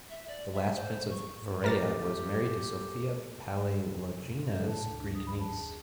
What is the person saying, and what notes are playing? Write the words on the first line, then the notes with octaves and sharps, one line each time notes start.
The last prince of Vereya was married to Sophia Palaiologina's Greek niece.
E5
D5
E5
C5
C#6
A3 G4 A#4 A6 A#6
C3
D3
A4
A5
D2
D4
D#6
B5
A5
G#4